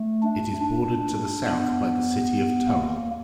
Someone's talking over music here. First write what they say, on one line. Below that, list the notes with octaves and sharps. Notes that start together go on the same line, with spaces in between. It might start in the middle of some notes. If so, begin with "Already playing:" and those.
It is bordered to the south by the city of Turrell.
Already playing: A3
D4
D4
B3
A#3